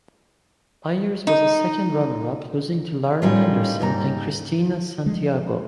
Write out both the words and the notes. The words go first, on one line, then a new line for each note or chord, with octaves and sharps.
Meiers was a second runner-up, losing to Lauren Anderson and Christina Santiago.
D#4
A2 D#3 G3 C#4 F4
D#2 G#2 G3 A#5
F3 G#3